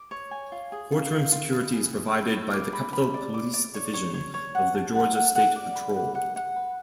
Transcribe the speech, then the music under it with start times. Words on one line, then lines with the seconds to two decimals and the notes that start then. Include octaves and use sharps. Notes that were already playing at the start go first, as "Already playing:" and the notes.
Courtroom security is provided by the Capitol Police Division of the Georgia State Patrol.
Already playing: D6
0.11 C#5
0.31 G#5
0.52 F4
0.72 G#4
0.92 F4
1.12 F4
1.32 F4
1.52 B4
1.73 G#4
1.93 G#4
2.13 B5
2.34 B5
2.53 D6
2.73 B5
2.93 B5
3.14 D5
3.34 D6
3.54 D5
3.74 C#5
3.94 C#5
4.14 C#5
4.34 C#5
4.55 F#5
4.75 A5
4.95 F#5
5.15 F#5
5.35 F#5
5.56 D5
5.76 B5
5.96 F#5
6.15 F#5
6.36 F#5
6.56 B4